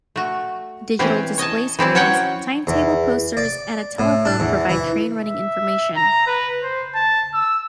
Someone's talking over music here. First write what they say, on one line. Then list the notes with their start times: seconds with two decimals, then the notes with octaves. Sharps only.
Digital display screens, timetable posters and a telephone provide train running information.
0.16 A3 F#4
0.99 E3 C4 C#4 G4 C5
1.38 C#5 D#5 G#5 A5
1.79 E3 C4 E4 D5
1.95 F#3 C#4 C#5 F#5 G5
2.67 E2
3.37 D5
3.99 A2
4.25 D4
4.40 E2
4.69 E3
5.21 E5
5.96 A#5
6.27 B4
6.63 C5
6.95 A5
7.34 E6